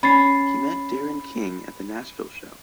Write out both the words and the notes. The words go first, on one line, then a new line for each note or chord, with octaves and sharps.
He met Darren King at the Nashville show.
C#4 B5 A6 C7